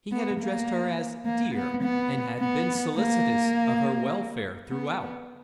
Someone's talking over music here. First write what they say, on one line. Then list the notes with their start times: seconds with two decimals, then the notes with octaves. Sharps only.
He had addressed her as "dear," and had been solicitous of her welfare throughout!
0.11 B3
0.40 A#3
1.26 A#3
1.55 B3
1.83 B3
2.39 B3
2.97 A#3
4.68 B3